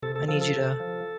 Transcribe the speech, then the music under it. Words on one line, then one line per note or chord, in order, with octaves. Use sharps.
I need you to
C3 A4
A4
F3 A4
A4
C3
F3